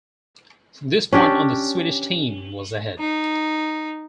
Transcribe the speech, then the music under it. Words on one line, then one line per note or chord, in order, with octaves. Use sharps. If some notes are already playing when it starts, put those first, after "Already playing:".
From this point on the Swedish team was ahead.
C#4 D4 G4
D#4